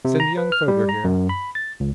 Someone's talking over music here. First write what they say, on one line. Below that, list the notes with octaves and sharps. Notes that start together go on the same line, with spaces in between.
"Send young Foger here."
C3
A#5
B4
F6
G3
A#5
F#2
B5
A6
C#2